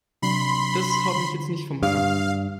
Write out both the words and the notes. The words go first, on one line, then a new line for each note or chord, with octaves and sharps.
Das haut mich jetzt nicht vom Hocker.
C3 F#3 D4 B5 C6
D3
G2 F5